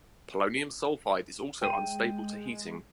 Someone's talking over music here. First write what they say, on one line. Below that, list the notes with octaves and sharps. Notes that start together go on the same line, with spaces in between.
Polonium sulfide is also unstable to heating.
G#3 G5 D#7